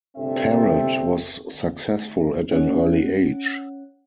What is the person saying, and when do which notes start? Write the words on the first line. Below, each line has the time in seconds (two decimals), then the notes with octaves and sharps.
Parrott was successful at an early age.
0.17 G1 C3 A3 C4 D4 E5
2.52 C#4 F#5